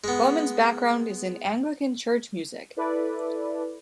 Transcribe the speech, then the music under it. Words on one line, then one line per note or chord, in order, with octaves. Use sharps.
Bowman's background is in Anglican church music.
G#3 B3
E4 A4 B4 D5